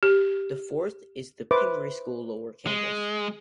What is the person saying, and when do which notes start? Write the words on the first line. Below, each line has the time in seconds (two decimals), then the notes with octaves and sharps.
The fourth is The Pingry School Lower Campus.
0.03 G4
1.51 B4 C5 E5 D6
2.67 G#3